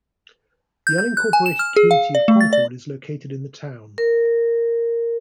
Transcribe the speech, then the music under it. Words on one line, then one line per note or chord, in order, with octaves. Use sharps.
The unincorporated community of Concord is located in the town.
G6
G6
F#6
G#5
E7
F6
G#4
F5
D5
A3
A6
D5
A#4